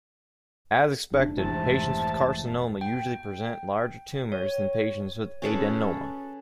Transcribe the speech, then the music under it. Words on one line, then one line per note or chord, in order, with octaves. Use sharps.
As expected, patients with carcinoma usually present larger tumors than patients with adenoma.
F1 D4
F1 G#2 C3 E3 A3 A5
G5
C#5
C#4 G#4 A4 B4